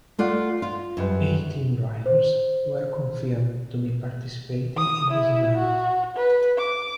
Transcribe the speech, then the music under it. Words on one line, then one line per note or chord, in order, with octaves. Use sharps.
Eighteen drivers were confirmed to be participating in this event.
A3 F4 D5 F#5
F4
F#2 G3 B4
C5
D#6
E4
F#4
B4
D6